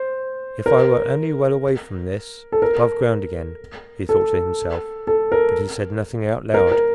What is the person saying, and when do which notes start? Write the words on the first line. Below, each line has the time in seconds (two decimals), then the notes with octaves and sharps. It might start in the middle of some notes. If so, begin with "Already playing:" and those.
"If I were only well away from this, above ground again," he thought to himself, but he said nothing out loud.
Already playing: C5
0.66 A#4
2.52 A4
2.62 A#4
4.09 A4
5.07 A4
5.32 A#4
6.54 A#4
6.71 A#4